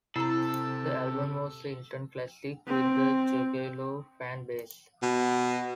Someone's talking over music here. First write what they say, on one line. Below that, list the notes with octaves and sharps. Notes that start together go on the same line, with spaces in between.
The album was a instant classic with the Juggalo fan base.
C3 E4 A4 A#5
C4
B2